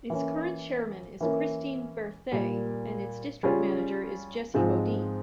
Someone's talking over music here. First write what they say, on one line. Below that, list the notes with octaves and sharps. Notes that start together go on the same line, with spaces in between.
Its current chairman is Christine Berthet, and its District Manager is Jesse Bodine.
E3 A#3 C#4
E3 A#3 C#4 E4 A#4
A#2 G3 A#3
C#3 G3 C#4 F4 G#4
G#2 F3 G#3 C4 F4